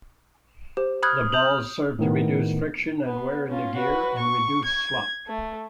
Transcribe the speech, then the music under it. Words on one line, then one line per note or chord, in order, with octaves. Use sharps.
The balls serve to reduce friction and wear in the gear, and reduce slop.
G4 C5
B5 D#6 F6 F#6 G#6
G6 F7 F#7
A2 D#3 B3
B3
C#4 F4
F#4 B4
C#6
G#6
A3